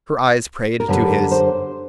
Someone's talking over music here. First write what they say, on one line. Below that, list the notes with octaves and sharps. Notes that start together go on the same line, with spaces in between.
Her eyes prayed to his.
A#4
F#2 D3 G3 A#3 B4
C5